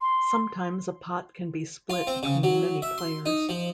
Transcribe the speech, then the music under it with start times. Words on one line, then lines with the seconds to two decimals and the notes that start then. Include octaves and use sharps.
Sometimes a pot can be split between many players.
0.01 C6
1.90 F4
2.07 C4
2.23 C#3
2.43 F#3
2.82 E5
2.98 C6
3.26 D#4
3.49 F3